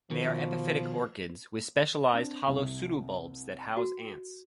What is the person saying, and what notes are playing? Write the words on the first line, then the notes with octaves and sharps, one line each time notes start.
They are epiphytic orchids with specialized hollow pseudobulbs that house ants.
B2 D#3 F3
C4 D4
C2 C3
F#4